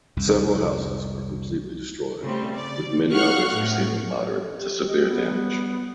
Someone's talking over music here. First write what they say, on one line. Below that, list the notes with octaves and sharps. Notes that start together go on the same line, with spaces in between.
Several houses were completely destroyed, with many others receiving moderate to severe damage.
C2 F2
C#3 G3 A3 C4
D5
F5 F#5 C#6 F6 F#6
A2
G4
D#5
B3
G3